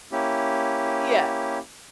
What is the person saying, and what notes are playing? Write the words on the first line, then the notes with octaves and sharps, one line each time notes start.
Y yeah.
A#3 C#4 E4 G4